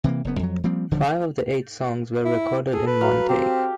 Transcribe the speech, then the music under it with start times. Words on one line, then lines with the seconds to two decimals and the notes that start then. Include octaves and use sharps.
Five of the eight songs were recorded in one take.
0.04 C3 E3 G3 A#3
0.25 F#1 F#2 B3
0.39 F2 F#3
0.64 F3 G3 A#3 C4
0.91 D#1 D3 F3
2.25 E4
2.73 G#4 A4
2.87 B4
3.01 F#3 F5
3.29 C4 G4